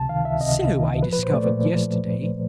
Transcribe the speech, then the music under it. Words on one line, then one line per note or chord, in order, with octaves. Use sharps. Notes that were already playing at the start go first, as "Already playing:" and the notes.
So I discovered yesterday.
Already playing: C#2 C3 A5
D#3 F5
C#2 E5
C3 D#5
C#2
D#3
C#2
F3 B4
B4
A#2 C5
A3 D5
A#2
F3